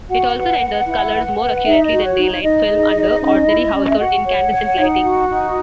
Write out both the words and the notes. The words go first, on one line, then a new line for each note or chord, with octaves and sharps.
It also renders colors more accurately than daylight film under ordinary household incandescent lighting.
F#4 F#5
B4
B4
E4
B4
B4
D#4 E5
D#5
F#4
C#5
D#4
C#5
D#4 D#5
G#4
D#4
C#4
E4
C#4
E5
F#4 F#5
C#5
C#5
D#4
F#4
D#4